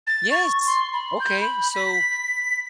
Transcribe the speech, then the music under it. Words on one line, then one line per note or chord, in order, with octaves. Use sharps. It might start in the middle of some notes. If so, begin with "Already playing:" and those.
yes. Okay. So,
A6
C#6
C6
B5
G6
B5
B6